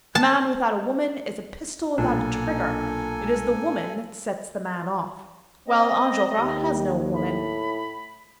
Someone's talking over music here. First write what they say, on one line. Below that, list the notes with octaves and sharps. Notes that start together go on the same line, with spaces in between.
A man without a woman is a pistol without a trigger; it is the woman that sets the man off. Well, Enjolras has no woman.
A5
B1 A#2 D4 A4 G#5
C4 D#5
D#2 G4
A2 B5